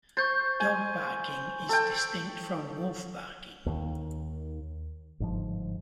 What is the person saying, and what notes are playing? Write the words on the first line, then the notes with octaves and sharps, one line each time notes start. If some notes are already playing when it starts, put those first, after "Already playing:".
Dog barking is distinct from wolf barking.
C5 C#6 G6 A6
G#5
A4 G5
D#2 D#3
G1 G#2 F3